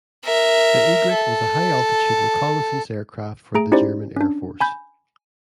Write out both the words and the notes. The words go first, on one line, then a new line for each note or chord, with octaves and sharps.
The Egrett was a high altitude reconnaissance aircraft for the German Air Force.
A#4 E5
A4
A3 G#4 A#5 D7
C#4 D#4 E4 G4 C5 D5
C#4 D4
G#5 B5 G6